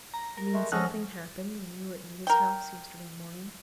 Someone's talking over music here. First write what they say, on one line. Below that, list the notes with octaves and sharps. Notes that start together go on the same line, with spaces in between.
"You mean something happened when you were at Nita's house yesterday morning?"
A#5
A#4
G#3 A3
F3 C#4 A4 D#5 F#5 G#5 F6 F#6
A#4 G5